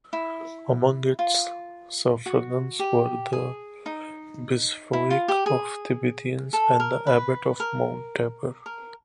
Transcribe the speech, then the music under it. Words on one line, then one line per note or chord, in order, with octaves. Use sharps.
Among its suffragans were the Bishopric of Tiberias and the Abbot of Mount Tabor.
E4
F4
F#4
G4
G#4
D#4
E4
F4
G4
G#4
A4
A#4
B4
A#4
A#4